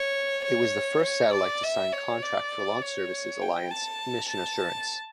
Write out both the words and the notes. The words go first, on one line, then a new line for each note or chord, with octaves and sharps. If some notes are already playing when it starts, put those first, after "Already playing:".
It was the first satellite to sign contract for Launch Services Alliance mission assurance.
Already playing: C#5
C#5
C#5
D5
E5
C#5
D5
C#5
G5
A5
A5